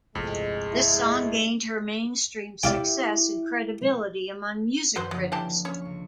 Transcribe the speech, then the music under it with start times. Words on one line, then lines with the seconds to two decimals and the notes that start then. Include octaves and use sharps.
This song gained her mainstream success and credibility among music critics.
0.15 G1 C2 F2 A2 G#3
0.71 E4
2.63 E4 G4 D5 F5 G5
4.96 F#2 D#3 F3 F#4 B4 C5
5.11 D3 F3 F#3 A#3
5.32 E3 G4 A5
5.65 C#4 C#5
5.81 C#2 C#6